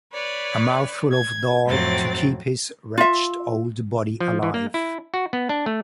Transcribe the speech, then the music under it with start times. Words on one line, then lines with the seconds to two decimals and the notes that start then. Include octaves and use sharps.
A mouthful of dal to keep his wretched old body alive.
0.13 B4 C#5 D5
1.11 G#6
1.66 F2 A2 F#3 C4 A6
2.98 F4 E5
4.20 F3
4.43 E3
4.54 A#3
4.74 E4
5.14 F#4
5.33 B3
5.49 D4
5.66 A3